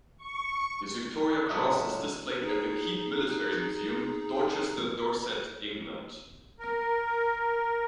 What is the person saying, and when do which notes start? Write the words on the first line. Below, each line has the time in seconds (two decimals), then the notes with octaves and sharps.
His Victoria Cross is displayed at The Keep Military Museum, Dorchester, Dorset, England.
0.17 C#6
1.49 C#2 A2 F#3 D4 D#5 E5
2.43 D#4 G#4
6.59 A#4